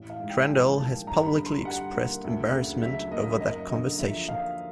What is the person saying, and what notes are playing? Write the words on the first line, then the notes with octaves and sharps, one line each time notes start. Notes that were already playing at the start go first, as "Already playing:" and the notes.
Crandall has publicly expressed embarrassment over that conversation.
Already playing: A1
F5
G#2
G5
F3 G#5
A#3 A5
G2 A#5
B5
D3
C6
G3 F#5
A#3
D2
C#3
F#3 E5
A#3 D#5
F#2 D#5
D3 D#5
F3 E5
A#3 F5